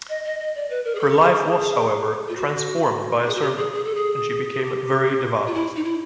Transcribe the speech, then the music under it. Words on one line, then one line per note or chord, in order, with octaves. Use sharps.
Her life was, however, transformed by a sermon and she became very devout.
D#5
D#5
D#5
D5
B4
A#4
G#4
A4
G#4
G#4
F4
F#4
G#4
F#4
G4
G#4
G#4
A4
G#4
G#4
G4
F4
E4
D#4
E4